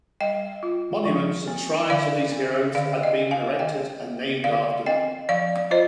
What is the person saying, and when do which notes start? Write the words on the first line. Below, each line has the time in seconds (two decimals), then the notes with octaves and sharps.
Monuments and shrines of these heroes had been erected and named after them.
0.20 G3 D#5 G5
0.63 F4
1.05 F3
1.48 C4
1.90 D3 D5 F5
2.32 C4
2.75 D3 D5 F5
3.03 D#5 G5
3.17 C4
3.31 F5 G#5
3.59 D#3 D#5 G5
4.02 B3
4.44 D3 D5 F5
4.86 C4 D#5 G5
5.29 F3 D5 F5
5.71 F4 C5 D#5